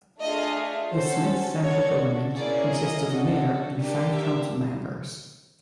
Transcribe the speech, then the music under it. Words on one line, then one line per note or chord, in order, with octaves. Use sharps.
The Smith Center government consists of a mayor and five council members.
A3 D4 F4 G#4 D#5
C#4 F#4 A4 C5
D4 F#4 A4 C#5
A#3 C#4 E4 G#4 D5
D#5
D4 F#4 A4
A#3 D4 G4
E5